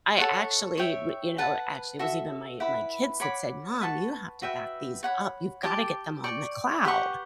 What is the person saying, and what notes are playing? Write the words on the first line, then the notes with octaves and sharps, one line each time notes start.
I actually, w you know, actually, it was even my my kids that said, "Mom, you have to back these up. You've gotta get them on the cloud."
A4 C#5 F#5 C#6
C#5 E5 G5
B4 F#5 A5
F#4 A4 E5
E4 B4 F#5 B5
C#5 F#5 B5 D6
B4 F#5 A5 C#6
F#4 B4 E5 G5
C#5 F#5 B5
G4 D5 A5 D6
D5 G5 C#6
G4 B4 F#5 C#6